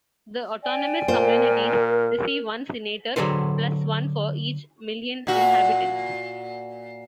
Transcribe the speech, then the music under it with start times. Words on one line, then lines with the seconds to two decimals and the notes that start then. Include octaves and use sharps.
The autonomous communities receive one senator, plus one for each million inhabitants.
0.62 D5 G5 G#5
1.08 A#2 F4 A#4 C5
3.16 D3 F#3 G#4 A4 B4 C5
5.27 A#2 F#4